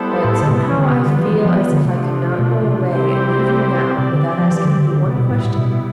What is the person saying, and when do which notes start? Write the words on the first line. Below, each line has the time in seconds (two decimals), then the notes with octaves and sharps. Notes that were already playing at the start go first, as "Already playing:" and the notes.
But, somehow, I feel as if I could not go away and leave you now without asking you one question. . . .
Already playing: G3 B3 E4 A4 C5
0.24 A2
0.42 D3
0.51 C3
0.71 E3
0.78 D3 G3 B3 F4
0.92 C3
1.05 D3
1.18 E3
1.32 E3
1.45 F3
1.58 E3
1.71 D3
1.85 C3 F3 A3 D4 F4
2.39 B2
2.65 C3
2.92 G3 C4 E4 G4 C5
3.98 C3 C4 G4 D5
4.11 D3
4.39 F3
4.52 E3
4.65 D3
4.78 D3
4.91 D3
5.05 C3 G3 B3 E4
5.17 B2
5.31 A2
5.44 A2
5.58 B2